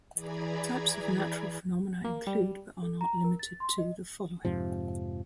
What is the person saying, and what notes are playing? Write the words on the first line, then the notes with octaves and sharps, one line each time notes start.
Types of natural phenomena include, but are not limited to, the following.
E3 G#4 D5 A#5 B5 G#6
A#3
G3
A4
A#5
A#4
A6
C6
D#5
F2 G#2 C3 F3